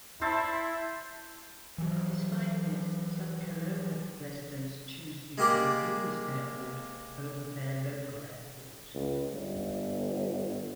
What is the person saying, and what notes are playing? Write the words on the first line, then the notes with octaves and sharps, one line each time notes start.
Despite this, some Kelowna residents choose the Kamloops Airport over their local airport.
E4 C5 E5 A5
E3 F#3
G#3 A#3 G4 A#4 D5
C#2
G1